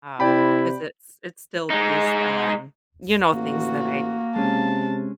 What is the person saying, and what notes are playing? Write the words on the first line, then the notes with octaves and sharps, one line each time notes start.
um, because it's it's still based on, you know, things that I
C3 E4 D5 G5 B5
G#3 D#4
A1 A#3 F#4
C3 G#3 C#4 A5